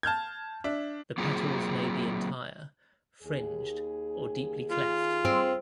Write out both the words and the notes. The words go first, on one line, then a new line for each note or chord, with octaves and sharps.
The petals may be entire, fringed or deeply cleft.
A5 F6 G6 G#6
D4 E5
F#3 A#3 C4 F4 G#4
D#2 G#4
F4
C4